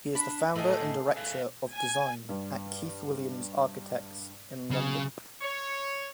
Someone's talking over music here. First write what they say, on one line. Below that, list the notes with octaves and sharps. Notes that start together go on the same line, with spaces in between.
He is the founder and director of design at Keith Williams Architects in London.
D4 B5
A2 A3 G#4 D#5 F#5
B4 E5 F5
G#5
G2
C#3 F#3
C#5